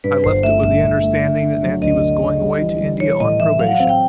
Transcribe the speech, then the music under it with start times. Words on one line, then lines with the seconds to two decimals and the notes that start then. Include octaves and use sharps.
I left it with the understanding that Nancy was going away to India on probation.
0.04 G2 B4
0.24 G1 C5
0.43 A3 E5
0.63 G1 E5
0.82 G1
1.03 A3
1.22 D3
1.42 D3
1.63 F#3
1.82 D2 D#5
2.01 D3
2.21 D3
2.42 G3
2.61 E3
2.81 G3
3.00 E3 C#5
3.20 A2 D#5
3.40 E3 E5
3.59 F#3 F5
3.67 F#5
3.75 F5
3.80 C4
3.89 G5